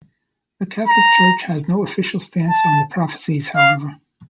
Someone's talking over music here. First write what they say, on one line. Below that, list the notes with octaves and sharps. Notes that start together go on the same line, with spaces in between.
The Catholic Church has no official stance on the prophecies, however.
A#5
A5
F5